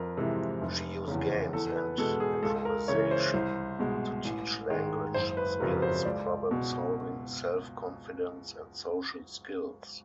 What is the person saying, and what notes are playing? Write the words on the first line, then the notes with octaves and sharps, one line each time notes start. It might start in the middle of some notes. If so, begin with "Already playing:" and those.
She used games and improvisation to teach language skills, problem-solving, self-confidence and social skills.
Already playing: F2 A#4
C3 E3 G#3
F1
E2 C#3
E2 A4
B4
B2 G#3 A4
G#4
C#2 A4
A#4
C#3 E3 C#5
C5
C2
B2 G#3
A1
G#2 D#3 G#3
F#1 C5
B4
F2 C#3 F#3 A#4
C5
C#2 D5
B2 G#3